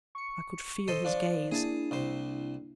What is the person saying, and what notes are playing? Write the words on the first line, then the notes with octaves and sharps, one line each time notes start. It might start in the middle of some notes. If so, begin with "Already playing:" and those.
I could feel his gaze.
C#6 C#7
A4 C5 D#5
F3 D4
A#3 D4 E4 G#4 A5
C2 C3 C5